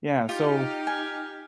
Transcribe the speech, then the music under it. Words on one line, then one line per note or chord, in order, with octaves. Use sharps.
Yeah, so
D#4 F4 G4 F6
G#5